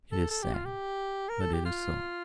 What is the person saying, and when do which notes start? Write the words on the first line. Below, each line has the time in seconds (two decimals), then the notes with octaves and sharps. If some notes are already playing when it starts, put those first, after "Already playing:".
It is sad, but it is so.
0.12 A4
0.31 A4
0.42 G4
0.54 F4
0.65 G4
1.29 A#4
1.40 A4
1.53 G4
1.65 F4